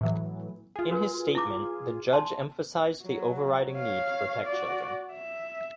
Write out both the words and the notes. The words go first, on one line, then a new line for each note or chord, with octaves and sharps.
In his statement, the judge emphasised the overriding need to protect children.
A2 E3 F#3
F4 G#4
F#4 A#4 B4
E4 D6
A5 C6
F#3
C#5 F5
F#4 D5
E5